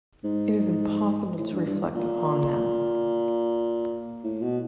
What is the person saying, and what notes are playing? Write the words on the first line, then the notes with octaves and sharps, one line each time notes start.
It is impossible to reflect upon them.
G#2
A2
G2
G2
A#2
A2
B2